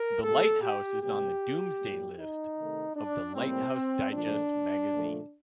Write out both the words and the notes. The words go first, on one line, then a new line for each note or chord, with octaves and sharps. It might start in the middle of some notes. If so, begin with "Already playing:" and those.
The lighthouse is on the "Doomsday List" of the "Lighthouse Digest" magazine.
Already playing: A#4
C3 G3 A#3 A4
G4
C3 G3 A#3 G4
A2 G3 A#3
D#4
C3 D#3 A3
D4
A2 G3 A#3 C4
A#2 F3 A3 D4
A#2 F3 A3